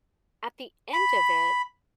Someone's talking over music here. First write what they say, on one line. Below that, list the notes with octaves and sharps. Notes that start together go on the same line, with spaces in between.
at the end of it,
B5